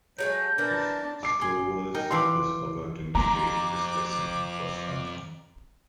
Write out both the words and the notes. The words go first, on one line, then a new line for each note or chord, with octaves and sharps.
If Stowers is forgotten today, this lesson was not.
F#3 G#3 A3 G6
E3 D4 A#4 A5
D6 C7
G#4 C6
D#4 A#4 G5
E3 D5 F5 C6 D6
F2 A#3 A#5 D6